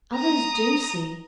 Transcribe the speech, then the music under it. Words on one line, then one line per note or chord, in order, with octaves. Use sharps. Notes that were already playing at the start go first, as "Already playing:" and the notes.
Others do see!
A#5 D#6